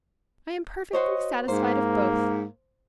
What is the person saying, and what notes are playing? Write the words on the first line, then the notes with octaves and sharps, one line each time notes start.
"I am perfectly satisfied of both."
F#4 C5 C#5 D#5
G#2 A#3 C5